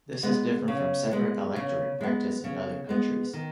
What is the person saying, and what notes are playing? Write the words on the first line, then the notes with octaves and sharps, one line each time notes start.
This is different from separate electorate practiced in other countries.
G#3 B3
C#3
G#3 B3
C#3
G#3 B3
C#3
G#3 B3
D#3